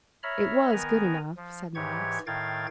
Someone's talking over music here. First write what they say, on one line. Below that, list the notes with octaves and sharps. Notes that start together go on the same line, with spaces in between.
"It was good enough," said Max.
C#5 E5 A#5 B5 F6
D#3 B3 A#4 G#5 A#5
F3
G#2 E3 G4 C#5 C#6 G#6
A2 D#3 F5 G5 G#6 A6